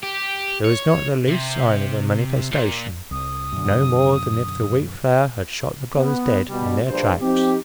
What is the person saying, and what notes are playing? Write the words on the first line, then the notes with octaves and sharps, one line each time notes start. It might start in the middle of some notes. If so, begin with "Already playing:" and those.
There was not the least sign of a "manifestation"--no more than if the wheat-flour had shot the "brothers" dead in their tracks.
G4
C#5
C3
A#2
C2 D#6
F#2 B2 D3
B3
B2 G3
A#1 G2 C5
F3 C4 D#4 G4